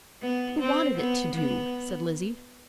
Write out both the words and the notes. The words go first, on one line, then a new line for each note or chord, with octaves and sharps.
"Who wanted it to do?" said Lizzie.
B3
C4
B3
B3